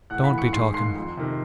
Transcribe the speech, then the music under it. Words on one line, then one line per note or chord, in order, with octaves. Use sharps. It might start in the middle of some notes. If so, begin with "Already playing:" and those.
Don't be talking!
A2 F#5 F#6
B5 B6
E3
C#6 C#7
G#2 C6 C7
D#3 C6 C7
F2
C3 D#3